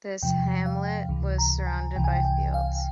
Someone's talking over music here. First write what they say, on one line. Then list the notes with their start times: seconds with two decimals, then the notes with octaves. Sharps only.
This hamlet was surrounded by fields.
0.23 E2 C3 F3 G5
0.66 F5
1.09 C#2 C3 E3
1.38 A#5
1.67 G#5
1.96 C2 C3 E3 G5
2.04 G#5
2.12 G5
2.25 G5
2.54 F5